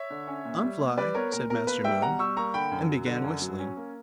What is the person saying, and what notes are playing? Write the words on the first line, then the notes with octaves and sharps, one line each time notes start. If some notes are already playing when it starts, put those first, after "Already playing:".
"I'm fly," said Master Moon, and began whistling.
Already playing: C#5 E5
D3
C#4
A#2
G3
A#2
G3 B4 D5
B3 A#4 C#5
A#2 A#4
B2 A#4
A#3 B4
G3 E5 G5
B2 F#5 A#5
G3 C#6 E6
A#3 A#5 C#6
D3 G5 B5
F#2
F#3
D3
F#2
F#3
C#4
A#3